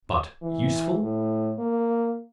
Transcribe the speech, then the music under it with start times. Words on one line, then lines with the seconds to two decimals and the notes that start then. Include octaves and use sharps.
But, USEFUL?
0.42 E3
1.03 A2
1.59 A#3